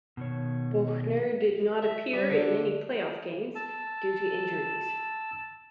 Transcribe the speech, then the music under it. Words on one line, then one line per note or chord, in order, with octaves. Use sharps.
Boughner did not appear in any playoff games due to injuries.
B2 D#3 C#5
E5
G3
D3
A5 E6